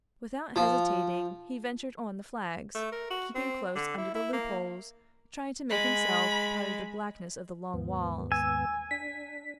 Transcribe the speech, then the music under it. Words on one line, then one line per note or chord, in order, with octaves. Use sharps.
Without hesitating, he ventured on the flags, keeping close under the loopholes, trying to make himself part of the blackness of the long walls.
F3
A3
A#4
F#4
C4
D3
E4
E4
A#3
G#3 B5
D#2 G#2 B3
G#5 E6
D4 B6